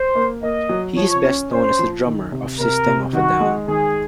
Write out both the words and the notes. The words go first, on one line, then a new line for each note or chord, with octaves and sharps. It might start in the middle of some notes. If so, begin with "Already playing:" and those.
He is best known as the drummer of System of a Down.
Already playing: C5
A#3
A#3 D#5
F#3
F3 C#5
C#4
C#4 C5
F3
D#3
C3
C3 A#4
C3
D#3 F#4
G#3
D#3 G#4